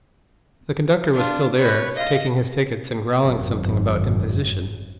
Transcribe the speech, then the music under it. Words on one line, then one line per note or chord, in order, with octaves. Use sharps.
The conductor was still there, taking his tickets, and growling something about imposition.
D4 F4
B4 C#5
D#5 F5
G#1 F#2